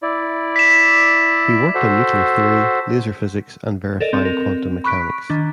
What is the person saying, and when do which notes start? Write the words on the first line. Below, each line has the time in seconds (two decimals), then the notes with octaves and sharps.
He worked on nuclear theory, laser physics, and verifying quantum mechanics.
0.02 E4 D5
0.56 B6 E7
1.74 F#4 A4 C5
4.00 A4 A#4 D5 D#5
4.13 C4
4.25 A#4
4.84 B5 C#6 F#6 B6 D7
5.30 D#3 D4